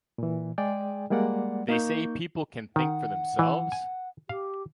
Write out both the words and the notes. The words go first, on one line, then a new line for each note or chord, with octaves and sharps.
They say people can think for themselves?
A#2 E3
G#3 G#4 D5 G5 G#5
G3 G#3 A#3 D5 F#5
A#3 D#4 C#6 G6
D#3 F#5
E3
G#5
G4 F5